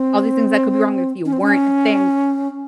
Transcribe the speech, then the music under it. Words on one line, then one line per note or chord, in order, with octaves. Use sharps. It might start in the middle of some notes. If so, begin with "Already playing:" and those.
All these things that could be wrong with you weren't a thing.
Already playing: C4
C#4
C4
C#4